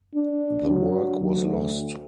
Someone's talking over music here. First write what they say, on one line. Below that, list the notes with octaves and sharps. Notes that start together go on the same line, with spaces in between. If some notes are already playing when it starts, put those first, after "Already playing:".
The work was lost.
D4
F#3
D2